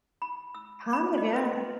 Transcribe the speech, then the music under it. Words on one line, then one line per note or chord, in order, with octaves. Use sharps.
Kind of, yeah.
B5
E6
B5
D#5
B4